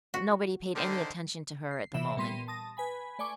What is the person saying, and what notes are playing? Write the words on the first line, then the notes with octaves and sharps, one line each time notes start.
But nobody paid any attention to her at the moment.
F#4
D3 D#3 C5
C7
C3 E3 E5 B5 E7
A#2 G3 B3 C6 B6 D#7
A5 D#6 A#6
B4 G#5 B5
A3 D5 G#5 C#6 D6